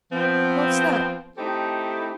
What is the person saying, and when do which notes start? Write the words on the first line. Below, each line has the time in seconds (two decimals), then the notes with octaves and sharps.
What's that?...
0.12 F3 B3 C4
1.37 A3 C4 D#4 E4 G4 A4